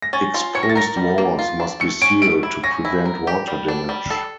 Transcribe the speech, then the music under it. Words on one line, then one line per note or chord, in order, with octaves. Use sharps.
Exposed walls must be sealed to prevent water damage.
A#6
C#4 A6
F4
C#5 C#7
A#6
A6
A#4 A#6
G3
A#3
F4
D4
A3 C#7
C#4 D7
A3 D7
E4
C#4 A#6
E4
A#4
G4
G3
D4
G3
A4